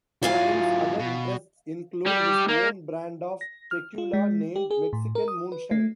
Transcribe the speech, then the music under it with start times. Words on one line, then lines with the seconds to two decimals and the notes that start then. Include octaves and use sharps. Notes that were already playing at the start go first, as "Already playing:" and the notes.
Clyne's other interests include his own brand of tequila, named Mexican Moonshine.
0.23 F#3 E4 F4 D5 F5 G#5
0.99 B2
2.06 G3
2.48 A#3
3.41 A#6
3.71 F6
3.98 F4
4.13 G#3
4.56 G4
4.71 G#4
4.93 A2
5.15 A#4
5.28 D#6
5.52 B4
5.71 A3